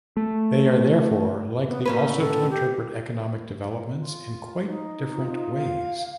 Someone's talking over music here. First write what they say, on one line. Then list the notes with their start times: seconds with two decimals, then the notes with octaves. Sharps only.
They are therefore likely also to interpret economic developments in quite different ways.
0.17 A3
1.69 B3
1.86 A2 A#3 C#4 B4
2.18 A4
2.51 G4
3.98 F4
4.66 D#4
5.16 F4
5.54 F5